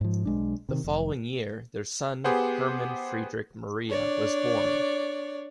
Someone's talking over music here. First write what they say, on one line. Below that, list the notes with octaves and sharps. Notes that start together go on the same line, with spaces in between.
The following year, their son Hermann Friedrich Maria was born.
G#2 F3
B1 G#3 D4
C3 D#3
F1
B3 G4 G#4 B4 C5 F#5
D4 C#5 D5